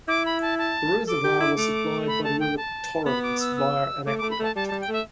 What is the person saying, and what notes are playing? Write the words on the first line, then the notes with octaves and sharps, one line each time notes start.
The reservoir was supplied by the River Torrens via an aqueduct.
E4 D6
B5
A5
A5
A4 D6
G4
E4
A3
B5
A5
G5
A5
B3 B5
D6
E6
E6
A3 D6
A3 D6
B5
A3 A5
G3 A5
G3 A5
G5
A3 E5